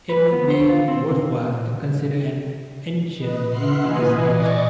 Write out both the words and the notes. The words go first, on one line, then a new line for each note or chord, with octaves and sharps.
It will be worthwhile to consider an ancient view of his nature.
B4
B3
C5
F4
C4
B4 D#5
E5 F#5 C6 F6 F#6 C7
A#2 E3 B4 D#5 G#5
D5 D#5 C#6 D6